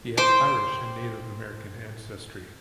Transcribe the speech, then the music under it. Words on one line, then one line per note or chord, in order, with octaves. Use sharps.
He has Irish and Native American ancestry.
C5 G5 C6 D6